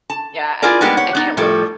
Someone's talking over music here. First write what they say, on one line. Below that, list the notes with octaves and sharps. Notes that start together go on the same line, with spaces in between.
Yeah, I I can't wait.
A5
E4 F4 G#4 A#4 D5
G3 G#3 A#3 B3 D#4 G4
G4 C#5 F#5
B3 D#4
A2 F3 G3 A4